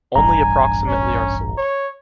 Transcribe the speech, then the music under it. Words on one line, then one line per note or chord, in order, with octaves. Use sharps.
Only approximately are sold.
D#1 A1 G2 G#5 A#5
C#4
C#5